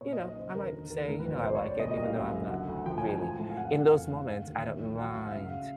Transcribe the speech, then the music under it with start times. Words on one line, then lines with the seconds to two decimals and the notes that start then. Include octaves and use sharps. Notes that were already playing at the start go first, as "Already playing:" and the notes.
you know, I might say, you know, I like it, even though I'm not, really in those moments, I don't mind
0.01 A#2 C#5
0.13 D#5
0.19 B1
0.25 D#5
0.36 C#3 C5
0.55 D#2 A#4
0.72 D3 A#4
0.90 D#2 A#4
1.08 A2 A#4
1.20 B4
1.26 A#1
1.32 C5
1.43 B2 C5
1.50 D5
1.55 C#5
1.61 C#2
1.67 D5
1.79 A#2 D#5
1.91 D#5
1.98 C2
2.03 F5
2.15 F#2
2.33 F#1
2.50 D3 F#5
2.68 D2
2.86 F3 G5
2.98 G#5
3.04 A2
3.09 G#5
3.22 F3 G#5
3.40 A2
3.50 F5
3.57 F2 F#5
3.75 F1
3.93 E3 F5
4.10 A2
4.28 D3
4.47 D#2
4.64 A#2 E5
4.82 A#1
5.00 F#3 F#5
5.12 F5
5.18 A2
5.23 F#5
5.31 E5
5.36 C#3 F5